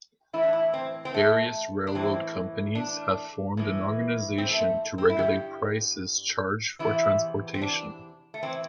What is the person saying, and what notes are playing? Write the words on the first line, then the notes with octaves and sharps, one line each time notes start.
Various railroad companies had formed an organization to regulate prices charged for transportation.
A2 E3 E4
D4
E4
C4
C4
A3
D4
A2 E3 C4
D4
A2 E3
C4
A3
C4
C4
E4
G2 E3 G4
E2 C3 E3 E4
C4
D4
A3
A2 E3 C4